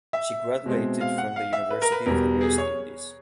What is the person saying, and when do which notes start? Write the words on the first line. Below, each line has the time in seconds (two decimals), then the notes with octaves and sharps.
She graduated from the University of the West Indies.
0.13 E5
0.66 B2 G#3 C4
1.01 F5
1.18 F#5
1.36 F5
1.53 E5
1.70 B4
1.82 A#4
1.92 B4
2.06 E2 B2 G3 A#4
2.41 G#4
2.58 C#5